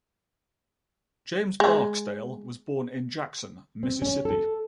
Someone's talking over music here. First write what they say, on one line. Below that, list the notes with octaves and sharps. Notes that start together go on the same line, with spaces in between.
James Barksdale was born in Jackson, Mississippi.
G#3
C4
C#4
A4